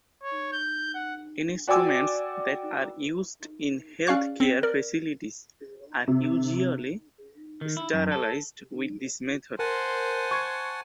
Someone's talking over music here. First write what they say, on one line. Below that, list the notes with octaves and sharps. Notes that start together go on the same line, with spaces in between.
Instruments that are used in health care facilities are usually sterilized with this method.
C#5
G6
F#5
F#4 D5 G5 G#5 D6 E6
C#4 D5 F5 C#6 F#6
C4 B6
A#4 D5
C3
D#3
E4
F#2
A4
A#4 C5 F#5 G#5 A5
C#6 G#6